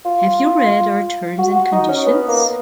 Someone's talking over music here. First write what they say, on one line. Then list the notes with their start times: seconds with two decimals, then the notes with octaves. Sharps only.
Have you read our terms and conditions?
0.06 F4
1.39 F#4
1.56 F#4
1.72 D#4
1.89 C#4
2.06 B3
2.28 A#3